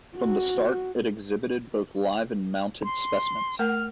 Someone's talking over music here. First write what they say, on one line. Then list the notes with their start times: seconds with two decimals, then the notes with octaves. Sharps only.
From the start it exhibited both live and mounted specimens.
0.18 F#4
2.84 C6
3.59 A3 A#4 F#5 F6